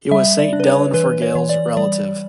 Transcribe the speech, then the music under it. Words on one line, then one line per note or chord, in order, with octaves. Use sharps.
He was St. Dallan Forgaill’s relative.
G3 E5
D5
D4
B4
C#5
E3 B4
C#5
E3
D5
G3 D5